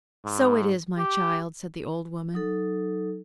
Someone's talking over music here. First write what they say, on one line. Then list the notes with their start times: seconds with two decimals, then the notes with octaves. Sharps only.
"So it is, my child," said the old woman.
0.25 G#2
0.98 G4
2.34 F#3 D#4 A4